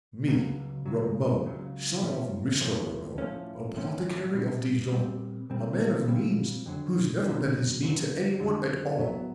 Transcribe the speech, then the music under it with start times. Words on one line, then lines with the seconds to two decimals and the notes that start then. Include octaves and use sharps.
Me, Rameau, son of Mr. Rameau, apothecary of Dijon, a man of means, who's never bent his knee to anyone at all!
0.28 C#2 C#3 F#3
0.86 C#2 C#3 F#3
1.44 C#2 C#3 F#3
2.02 A2 F3 A3 C#4
2.60 A2 F3 A3 C#4
3.18 A2 F3 A3 C#4
3.76 A2 F3 A3 C#4
4.34 A#2 G3 C4
4.92 A#2 G3 C4
5.50 A#2 G3 C4
6.08 A#2 G3 C4
6.66 F2 D3 F#3
7.24 F2 D3 F#3
7.82 F2 D3 F#3
8.40 F2 D3 F#3
8.98 A2 F#3 B3